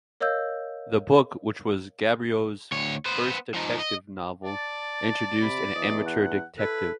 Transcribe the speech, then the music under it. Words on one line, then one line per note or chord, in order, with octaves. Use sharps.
The book, which was Gaboriau's first detective novel, introduced an amateur detective.
A#4 C#5 D#5 F5 E6 G6
D2 C#5
B3 C5
F3 D#4
D#5
D5 A5
A5
C3 B5
E2 D#5
F#5
E4 A4 B4